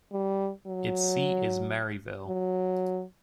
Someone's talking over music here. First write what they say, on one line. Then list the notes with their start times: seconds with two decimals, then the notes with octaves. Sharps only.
Its seat is Marieville.
0.12 G3
0.67 F#3
2.28 F#3